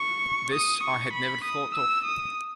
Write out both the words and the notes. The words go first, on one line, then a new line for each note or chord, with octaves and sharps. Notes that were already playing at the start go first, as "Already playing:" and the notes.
This I had never thought of.
Already playing: C#6
D#6
C#6
B5
D#6
E6
D#6